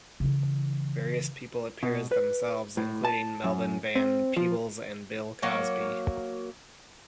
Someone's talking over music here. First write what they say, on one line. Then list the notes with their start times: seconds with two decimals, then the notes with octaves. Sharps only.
Various people appear as themselves, including Melvin Van Peebles and Bill Cosby.
0.20 C#3 E3
1.83 B2
2.11 B4
2.77 A2
3.05 A5
3.44 F#2
3.95 C4
4.37 F3
5.42 F#3 A#3 C#5